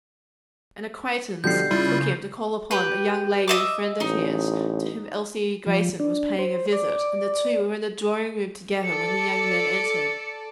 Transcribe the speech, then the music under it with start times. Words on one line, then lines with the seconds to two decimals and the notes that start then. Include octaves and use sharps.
An acquaintance took him to call upon a young lady friend of his, to whom Elsie Grayson was paying a visit, and the two were in the drawing-room together when the young men entered.
1.44 B2 D3 F3 G3 G6 C7
1.71 C#3 G3 E4 F4
2.71 G4 B4
3.48 D#5 E5 D6
4.00 A1 D#4
5.67 F3
6.00 D4
6.39 C5
6.72 D5
8.84 A4 D5 C#7